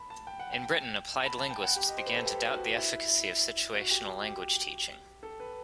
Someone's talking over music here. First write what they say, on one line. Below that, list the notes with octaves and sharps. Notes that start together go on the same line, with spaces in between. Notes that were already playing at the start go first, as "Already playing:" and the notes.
In Britain, applied linguists began to doubt the efficacy of situational language teaching.
Already playing: A5 B5
A5
G5
F#5
G5
A5
B5
A5
G5
F#5
G4
D#5
C5
B4
A4
G4
F#4
E4
F#4
G4
G4
G4
A4
B4